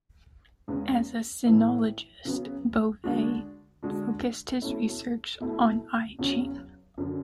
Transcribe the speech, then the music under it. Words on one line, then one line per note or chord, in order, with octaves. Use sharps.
As a sinologist, Bouvet focused his research on "I Ching".
E2 C#3 G#3 B3
A2 E3 B3 E4
C#3 F#3 B3
D3 G#3 D4 F#4
D3 G#3 D4 F#4
B2 A3 C#4 E4
B2 A3 E4
E2 C#3 F#3 C#4
F#2 D3 F#3